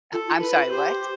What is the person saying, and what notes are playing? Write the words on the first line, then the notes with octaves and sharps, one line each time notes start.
Uh, I'm sorry, what?
F4 A4
F4
E4 B4
F4
G4 C5